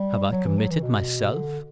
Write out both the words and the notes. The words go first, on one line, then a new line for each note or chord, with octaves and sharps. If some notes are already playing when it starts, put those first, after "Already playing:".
Have I committed myself?
Already playing: G3
F#3
E3
F#3
E3
B2
D3